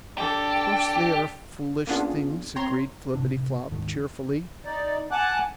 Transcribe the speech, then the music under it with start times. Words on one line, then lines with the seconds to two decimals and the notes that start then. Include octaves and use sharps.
"Of course, they are foolish things," agreed Flippityflop, cheerfully.
0.18 D4 G4 A4
1.87 A#3 B3 C#4 D4 F4 G#4
2.56 C4 C#5 A#5 C6
3.15 A2 C3 D4
3.71 D2 G#2 D3 D#3
4.65 D#4 D5
5.11 F#5 G#5 A5 D6 F#6